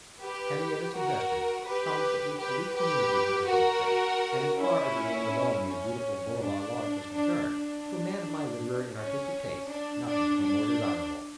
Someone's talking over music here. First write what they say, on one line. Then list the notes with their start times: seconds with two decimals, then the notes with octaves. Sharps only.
Henriette's suggestion promised at least a week's immunity from this sort of thing, and as far as remaining alone in the beautiful Bolivar Lodge was concerned, to a man of my literary and artistic tastes nothing could be more desirable.
0.20 G4 B4
0.94 F#4 A#4
1.66 G4 B4
2.39 G4 B4
2.76 G4 B4
3.48 F#4 A#4
4.58 C#4 E4
5.67 C#4
6.41 D4
7.13 D4
7.51 D4
8.97 C#4
9.69 D4
10.06 D4
10.42 D4